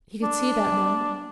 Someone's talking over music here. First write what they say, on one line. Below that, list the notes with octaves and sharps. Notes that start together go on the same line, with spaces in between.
He could see that now.
D4